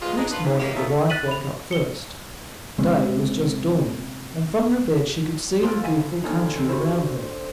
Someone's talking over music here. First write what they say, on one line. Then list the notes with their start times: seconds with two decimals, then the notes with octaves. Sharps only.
Next morning the wife woke up first; day was just dawning, and from her bed she could see the beautiful country around her.
0.02 C#3 G#3 B3 F4
0.17 G#3 D4 D#4
0.31 B3 D4 F4 B4
0.44 G#2
0.60 D#3 E3 G#3 A#3 C#4 G4
0.75 D#3 F3 A3 A#3 C#4 D#4
1.10 F#6 A6 B6 D#7 F#7
1.28 B5 F7
1.71 C#7 G7
2.78 C3 G#3 C4 C#4
5.63 F3 E4 F4 B4 G5 C6
5.83 D2 E3 E5 G#5
6.24 D3 A#3 C4 C#4 D#4
6.55 D#3 C4
6.69 E4 F#4 C5